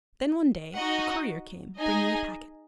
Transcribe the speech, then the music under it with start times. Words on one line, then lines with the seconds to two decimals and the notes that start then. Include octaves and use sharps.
Then one day a courier came, bringing a packet.
0.76 D#4 F#4 D#5 F#5
1.79 D#4 G#4 D#5 G#5